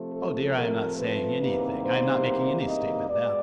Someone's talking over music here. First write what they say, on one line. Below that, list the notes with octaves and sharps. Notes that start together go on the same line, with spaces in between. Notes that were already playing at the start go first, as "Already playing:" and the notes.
Oh, dear, I am not saying anything, I am not making any statement now.
Already playing: C3 F3 A3 C4
A4
A#4
B4
E2 C3 D#3 G3 A#3
C5
D#5
B2 G#3 B3 D5